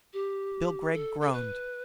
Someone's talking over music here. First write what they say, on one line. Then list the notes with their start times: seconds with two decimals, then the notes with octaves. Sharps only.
Bill Gregg groaned.
0.13 G4
0.93 A4
1.21 A4
1.33 B4